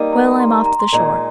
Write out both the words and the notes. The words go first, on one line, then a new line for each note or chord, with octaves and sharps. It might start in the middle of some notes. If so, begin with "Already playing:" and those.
Well, I'm off to the shore.
Already playing: G3 A#3 D#4
A#5
C6
A#5
A#5
C6
A#2 G#3 D#4 A#5